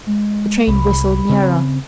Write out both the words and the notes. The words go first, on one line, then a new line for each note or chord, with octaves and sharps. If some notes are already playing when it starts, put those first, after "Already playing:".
The train whistled nearer.
G#3
C2 B5
C#3 C4